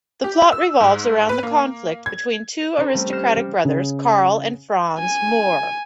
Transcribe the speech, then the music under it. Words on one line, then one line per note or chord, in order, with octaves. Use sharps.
The plot revolves around the conflict between two aristocratic brothers, Karl and Franz Moor.
G4
E6
G#2
B4
A#3
G#6
C#4 A4 A#4 C5 C#5
G3 A3 C4 C#4
F6 G6 A#6 C7 C#7 E7
G3
C#3
G#5